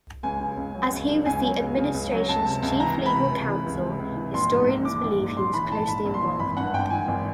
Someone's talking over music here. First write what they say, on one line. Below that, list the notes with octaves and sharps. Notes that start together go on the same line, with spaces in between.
As he was the administration's chief legal counsel, historians believe he was closely involved.
C#2 G#5
C#3
C#2
F#3
C#2
C#3
C#2 G#5
F#3
C#2
C#3
C#2
F#3
C#2 A5
C3
C#2
E3 A#5
C#2
B5
C3
C#2
E3
C#2
C3
C#2
E3
A#1 C6
G#2
A#1
E3 D6
A#1
G#2
A#1 C6
E3 B5
A#1 A5
G#2 B5
A#1
C6
E3
G#1 B5
G2 F#5
G#1 G5
E3 G#5
G#1